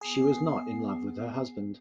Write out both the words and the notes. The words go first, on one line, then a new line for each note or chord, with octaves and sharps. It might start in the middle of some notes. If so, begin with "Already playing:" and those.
She was not in love with her husband.
B3 G#4 C7